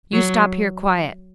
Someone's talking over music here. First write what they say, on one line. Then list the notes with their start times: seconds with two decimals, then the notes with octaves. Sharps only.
You stop here quiet.
0.13 F#3